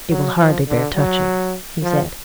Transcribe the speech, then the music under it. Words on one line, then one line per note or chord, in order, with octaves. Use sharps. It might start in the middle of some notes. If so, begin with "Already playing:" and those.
"It will hardly bear touching," he said.
F#3
F3
D3
F#3
F3